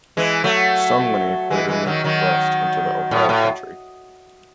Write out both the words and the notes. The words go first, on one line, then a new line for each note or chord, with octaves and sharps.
Some Lenape later moved west into the Ohio Country.
E3 G#3
F#3 A3
E3 G#3
E3 G#3
D#3 F#3
D#3 F#3
A2
A2